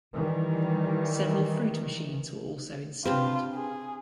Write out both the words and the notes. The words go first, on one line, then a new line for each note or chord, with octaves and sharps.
Several fruit machines were also installed.
D#3 E3 G3
C4 D4 F4 G4 B4
G#4